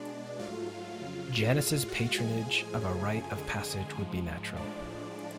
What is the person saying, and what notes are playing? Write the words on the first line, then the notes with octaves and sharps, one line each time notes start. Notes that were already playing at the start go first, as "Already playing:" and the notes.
Janus's patronage of a rite of passage would be natural.
Already playing: B2 G#3 D4 D5
G#2 F#3 A3 F4 F5
F2 C#3 F#3
A2 G#3 F4 F5
F#4 F#5
A2 F3 G#3 G#4 G#5
F#2 C#3 F3 A3
F2 D3 G#3 G#4 G#5
G#2 F3 G#3
A2 F3 G#3 D4 D5